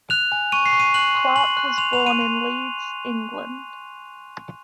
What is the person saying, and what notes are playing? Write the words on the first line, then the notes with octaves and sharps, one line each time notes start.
Clark was born in Leeds, England.
F#6 F7
G#5
C#6 D#7
C7
C#6
D#7
F#6 F#7
C6
C6 F#7
F#6
C6 F7
F7
C6
D#7
C6